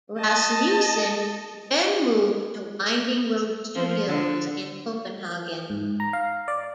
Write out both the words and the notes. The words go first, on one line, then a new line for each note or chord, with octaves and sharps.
Rasmussen then moved to Winding Road Studios in Copenhagen.
D#5 A5
F3
D3
G#2
A#5
F5
D5